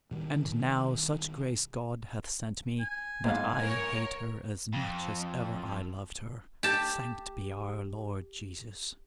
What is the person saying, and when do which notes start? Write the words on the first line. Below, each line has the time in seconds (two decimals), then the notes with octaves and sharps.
And now such grace God hath sent me, that I hate her as much as ever I loved her, thanked be our Lord Jesus!
0.11 B2 D#3 G3
2.80 G#5
3.24 B1 G#2 F5
3.62 A#4 C#5
4.74 F2
6.63 G4 A5